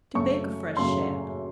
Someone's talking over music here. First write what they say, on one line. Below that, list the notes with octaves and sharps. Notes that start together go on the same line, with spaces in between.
To Bake a Fresh Shad.
F#2 C#3 F#3 A3 C#6
F#2 C#3 F#3 A3 C6